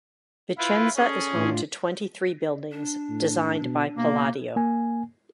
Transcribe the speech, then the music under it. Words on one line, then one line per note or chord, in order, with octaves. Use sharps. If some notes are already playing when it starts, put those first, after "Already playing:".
Vicenza is home to twenty-three buildings designed by Palladio.
E4 F4 B4
C#4 G#4 A4
A2 D4 F4
D4
A2
B2
B2 A#3
A#3 G#5